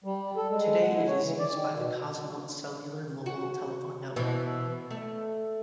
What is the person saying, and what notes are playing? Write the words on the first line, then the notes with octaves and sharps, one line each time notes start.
Today it is used by the Cosmote cellular mobile telephone network.
G3
A4
G#3
F#5
E4
C#5
E3
D5
D#3
B2
F#4
B2 E3
A3